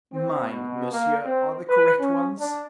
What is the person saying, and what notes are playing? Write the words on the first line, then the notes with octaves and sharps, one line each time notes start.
"Mine, monsieur, are the correct ones."
C4
B2
A#3
C4
B4
C#4
D4